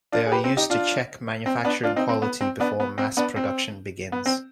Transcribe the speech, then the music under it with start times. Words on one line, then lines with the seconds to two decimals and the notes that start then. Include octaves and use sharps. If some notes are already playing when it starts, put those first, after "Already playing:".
They are used to check manufacturing quality before mass production begins.
0.12 D4 F4
0.26 G#4
0.32 G4 B4
0.44 C4
0.57 D#4 G4
0.70 D4 F4
1.46 C4
1.65 B3 D4
1.83 D4 F4
1.96 C4 D#4
2.09 C4
2.22 B3
2.41 C4
2.60 B3 D4
2.80 B3
2.98 C4
3.17 B3 D4
3.36 C4
4.12 B3
4.26 C4